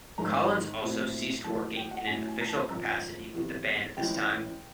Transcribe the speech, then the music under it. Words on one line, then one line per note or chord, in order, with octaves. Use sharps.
Collins also ceased working in an official capacity with the band at this time.
G#1 G#2 D#3 G#3 A#5
A#2 F#3 A3 C4 E4
A1 A2 F#3 A#3 A5
G5
F#5
A2 F#3 A3 C#4 E4 G#5
G#5
A#5
A5
G#1 F#2 C#3 F3 A#5
E2 C3 E3
C#2 C#3 E3 G#3 C#4 G5